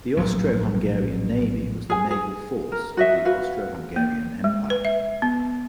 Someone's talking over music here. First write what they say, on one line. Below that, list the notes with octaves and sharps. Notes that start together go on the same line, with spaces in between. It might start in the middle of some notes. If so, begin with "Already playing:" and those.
The Austro-Hungarian Navy was the naval force of the Austro-Hungarian Empire.
A#1 A2 F#3
G#4 G#5
G#4
A#4
F#4 D#5 E5
F#4 B4 F5
A#3
G#3
B4
E5
B3